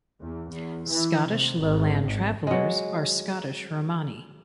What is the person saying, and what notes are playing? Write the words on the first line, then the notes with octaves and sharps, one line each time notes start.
Scottish Lowland Travellers are Scottish Romani.
E2
E2
E3
C3
G#1
G#1
F#3 G#3